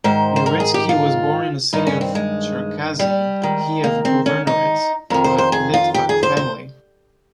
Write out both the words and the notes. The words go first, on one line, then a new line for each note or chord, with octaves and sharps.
Uritsky was born in the city of Cherkasy, Kiev Governorate, to a Litvak family.
G#2 D#3 C5
C5
A#4
G#4
G4
F4
G2 D#3 D#4
C#4
C4
G#3
G3
G#2 D#3
A#3
C4
C#4
D#4
F2 D#3 A#4
C5
C5
G#4
F4
G4
G#4
C5
C5